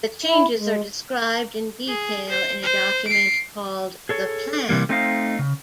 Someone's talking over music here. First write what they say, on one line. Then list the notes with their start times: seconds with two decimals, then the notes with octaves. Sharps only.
The changes are described in detail in a document called "The Plan".
0.25 E4
0.56 G#3
1.88 G#4
2.29 C5
2.63 C5
3.07 C7 D7
4.09 G#4 A4 C#5
4.69 C3 E3 G3 A#3
4.89 A3 C4 D#4 C5 D#5 F5
5.39 C#3